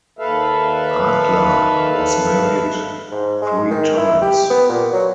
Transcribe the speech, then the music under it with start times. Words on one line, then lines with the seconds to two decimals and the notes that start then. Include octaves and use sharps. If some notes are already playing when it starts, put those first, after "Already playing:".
Adler was married three times.
0.19 D#2 A4 B4 E5 F5
3.11 G#2
3.42 G#3
3.70 D#3
3.97 E4
4.22 G4
4.50 B3
4.69 A#2
4.92 F#3